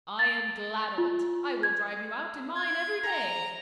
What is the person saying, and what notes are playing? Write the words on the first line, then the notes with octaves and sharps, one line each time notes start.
"I am glad of it: I will drive you out in mine every day."
A6
F4
G#6
G#6
A#5